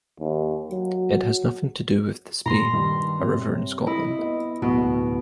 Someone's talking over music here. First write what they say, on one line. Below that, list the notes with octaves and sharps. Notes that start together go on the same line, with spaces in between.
It has nothing to do with the Spey, a river in Scotland.
D#2
F#3
A#2 A#5 C6
G2 D#3 G3
C3 G3 C#5
D#4 E4
B3 D#5
D1 B2